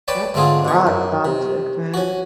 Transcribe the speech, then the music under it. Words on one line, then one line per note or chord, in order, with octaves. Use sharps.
That's a broad subject, man.
B4 C#5 D5 G5 A5
G#2 D3 A3 C4 F4 G#4
B2 C#6
F#2
C3
C#4 F#4